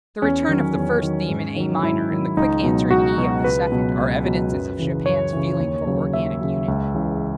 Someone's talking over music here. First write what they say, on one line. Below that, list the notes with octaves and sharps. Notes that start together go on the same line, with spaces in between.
The return of the first theme in A minor and the quick answer in E of the second are evidences of Chopin's feeling for organic unity.
E2 C#4
D#3 F#3
E2
D#3 F#3
G#2
D#3 F#3
G#2 E4
D#3 F#3
C#2 D#4
B2 F#3
C#2 F#4
B2 F#3
C#2 B4
B2 F#3
C#2
B2 F#3
F#2
C#3 E3
F#2 C#5
C#3 E3
D#2
C#3 F#3
D#2 E5
C#3 F#3
C#2
C#3 E3